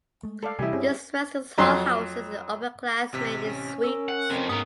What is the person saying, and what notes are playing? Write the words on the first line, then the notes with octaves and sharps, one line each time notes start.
This residence hall houses upperclassmen in suites.
G#3 A3
A4 D5 F5
C3 E3 G3 E4 D#5 G#5
G2 C4 C#4 G#4
F2 F#3 C6
A1 C3 B6
C#4 F6
A#4 D6 E6
F#5
F2 C3
G#2 B3 C#4 A#4 D#6